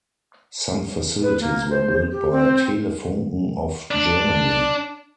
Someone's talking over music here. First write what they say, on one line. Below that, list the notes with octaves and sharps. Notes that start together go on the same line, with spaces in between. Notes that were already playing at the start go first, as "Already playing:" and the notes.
Some facilities were built by Telefunken of Germany.
B4
A#3
C5
G4
C4
D4